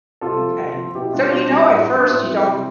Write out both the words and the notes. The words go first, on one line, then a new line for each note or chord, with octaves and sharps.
M'kay. So, you know, at first, you don't
C3 F4 A4
F3
C3
F3
B2 E4 G4
G3 D4 F4
B2 D4 F4
G3
A2
F3
D4
A2 C4 E4
F3
C3